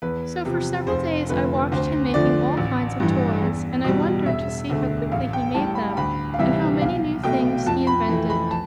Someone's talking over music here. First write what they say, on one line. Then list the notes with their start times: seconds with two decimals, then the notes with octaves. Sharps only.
So for several days I watched him making all kinds of toys, and I wondered to see how quickly he made them, and how many new things he invented.
0.02 E2 B4
0.45 C3 F3
0.87 F1 C5
1.29 F2 D3 A3 B4
1.72 D2 C5
2.14 D3 F3 A3 D5
2.57 A1
3.00 G2 E3
3.42 E2
3.84 B2 G3
4.26 E1 E5
4.70 D2 D3 A3
5.12 A1 F5
5.33 G5
5.54 A2 G3 A5
5.75 B5
5.97 D2 B5
6.34 F5
6.39 C3 E3 G3 E5
6.81 B1 F5
7.24 B2 A3 G5
7.66 F2 A5
7.87 B5
8.09 E3 A3
8.30 B5
8.51 A5